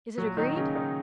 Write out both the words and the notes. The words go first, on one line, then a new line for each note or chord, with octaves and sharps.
"Is it agreed?"
A#2 F#3 F#4
D#3 D#4
C#3 C#4
D#3 D#4